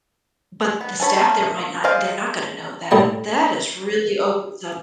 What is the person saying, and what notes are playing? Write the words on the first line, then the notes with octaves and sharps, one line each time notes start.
But the staff there might not they're not gonna know that. That is really opens up
B3
G#4 A4 C#5 B5
A3 A#3 C#4
G#4 C5 D5 D#5 F5
A2 G3 A5